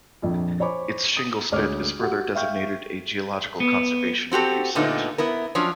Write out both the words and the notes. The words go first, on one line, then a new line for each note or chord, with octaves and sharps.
Its shingle spit is further designated a Geological Conservation Review site.
A#1 F2
C5 C#5 G#5 B5 C#6 D6
D#6
D2 G#3 G#4 C#5 D6 F6
F#4 G4 F#5
E5 F5 G5 C#6 F6 G6
B3
C4 F#4 G4 A4
A#2 D3 A3 B3 D#4
B3 E4 A#4
F3 F#3 C#4 D4